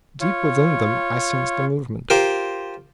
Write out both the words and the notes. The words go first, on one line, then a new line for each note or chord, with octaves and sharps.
Deep within them I sensed a movement.
F4 C#5
F4 G4 A#4 C5